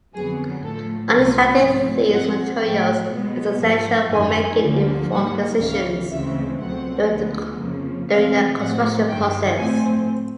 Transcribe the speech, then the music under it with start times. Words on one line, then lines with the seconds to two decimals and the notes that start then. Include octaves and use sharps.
Understanding these materials is essential for making informed decisions during the construction process.
0.13 F2 D3 F#3 B3 G#4
0.63 A2 F3 A3 A4
1.13 C2 A#2 F#3 A3 C4 B4
1.63 G#2 F3 A3 C4 C#5
2.12 A#2 F3 G#3 C4 F#5
2.62 A2 F3 A3 G5
3.12 B2 G#3 B3
3.62 G#2 F3 A#3 A5
4.12 F#2 D#3 G#3 G#5
4.62 D2 D3 F3 A#3
5.11 G#2 D#3 G3 A#3 F#5
5.61 C#2 C#3 E3 F5
6.11 D2 C#3 E3 G#3 C4 E5
6.61 C#2 B2 F#3 A3 C4 F#5
7.10 D2 D3 F3 G#3 B3
7.59 F2 C#3 F3 A#3
8.09 F2 C3 E3 A3 F5
8.59 A2 F3 G#3 C4 F#5
9.09 G2 D#3 G3 A#3 G5
9.58 A2 F3 A3 C4 G#5